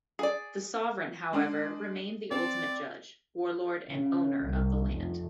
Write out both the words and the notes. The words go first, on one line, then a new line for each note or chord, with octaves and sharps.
The sovereign, however, remained the ultimate judge, warlord and owner of the land.
G#4 D5
G#3 D4
C4 D5
C#3
C2
F1